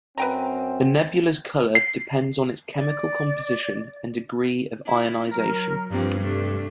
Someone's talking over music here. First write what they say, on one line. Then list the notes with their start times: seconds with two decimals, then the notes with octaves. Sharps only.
The nebula's color depends on its chemical composition and degree of ionization.
0.18 F#2 C4 B4 G5 A#5
1.75 C7
2.74 D5
4.86 E4
5.31 F#3 A#4
5.90 G2 F3 A#3 C4
6.20 C3 A3 D4